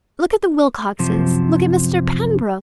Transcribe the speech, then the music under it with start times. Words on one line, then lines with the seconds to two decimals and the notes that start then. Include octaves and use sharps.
Look at the Wilcoxes, look at Mr. Pembroke.
0.99 F#2 C3 F3